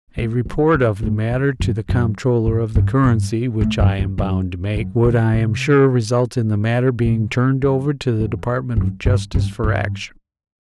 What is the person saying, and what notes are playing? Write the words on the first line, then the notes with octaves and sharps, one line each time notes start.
A report of the matter to the Comptroller of the Currency--which I am bound to make--would, I am sure, result in the matter being turned over to the Department of Justice for action.
A3
G3
G3
A2
E2
F#2
F#2
G2
G2
G2
A2
F#2
E2
F#2
F#2
D3
C3
B2
F#2
E2
F#2
G2
G2
G2